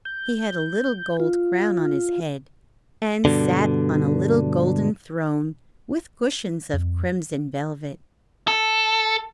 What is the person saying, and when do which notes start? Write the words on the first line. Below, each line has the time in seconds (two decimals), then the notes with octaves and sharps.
He had a little gold crown on his head, and sat on a little golden throne with cushions of crimson velvet.
0.05 G6
1.20 F4
3.25 G2 B2 D3
6.74 F2
8.48 A4